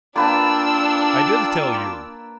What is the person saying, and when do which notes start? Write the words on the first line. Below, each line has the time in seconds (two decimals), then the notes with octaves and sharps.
I did tell you.
0.16 A#3 D4 F4 B4 D5 G5 A5 E6